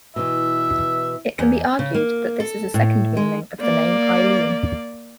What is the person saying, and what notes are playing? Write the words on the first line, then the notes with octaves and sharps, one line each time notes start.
It can be argued that this is a second meaning of the name Eileen.
B2 E3 E5
E2
C#3
A#3
A4
A2
G#3
A#3 D5